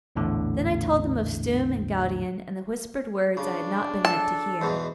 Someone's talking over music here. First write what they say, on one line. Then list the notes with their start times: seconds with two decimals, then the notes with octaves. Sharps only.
Then I told them of Stumm and Gaudian and the whispered words I had not been meant to hear.
0.16 A#1 E2 A2 D3
3.37 C#3 D4
4.05 A4 A5
4.61 E2 G#2 B2